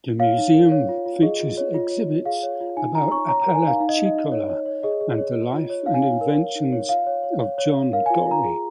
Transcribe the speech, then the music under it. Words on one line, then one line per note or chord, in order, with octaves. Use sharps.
The museum features exhibits about Apalachicola and the life and inventions of John Gorrie.
C#5 F5
D#4
A#4
C#5
F4
F4
G#4 D#5
F4
C#5
F4
C#5
F4
G#4 F5
C#5
F4
D#4 G#5
D#4 A#5
C#5 C#6
C#5 A#5
A#4 A#5
G#5
D#4 F5
D#4 F5
D#5
D#4
D#5
D#4
C#5
C#5
C#5
G#4 D#5
G#4
C#5
C#5
F4
C#5
D#4 F5
G#5
C#5 F5
A#4
C#5
D#4
C#5
F4 F5
C#5
C#5
C#5
C#5
C#5
A#4 F5
F4 G#5
F4 A#5
G#4